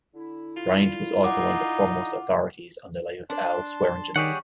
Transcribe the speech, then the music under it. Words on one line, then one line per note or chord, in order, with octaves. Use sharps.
Bryant was also one of the foremost authorities on the life of Al Swearengen.
D3 E4
F4
D#4 F#5 D6
D4 A5 C6
D#3 G3 G4 G#4 C#5 D5 F#5